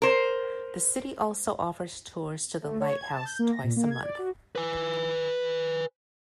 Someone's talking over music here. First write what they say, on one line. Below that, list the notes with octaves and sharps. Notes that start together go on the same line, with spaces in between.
The city also offers tours to the lighthouse twice a month.
A#4 C5
A3
C#5
G#6
A5
G6
A#3
A#6
A#2
A#3
G#6
D5
F#4
B4 G#5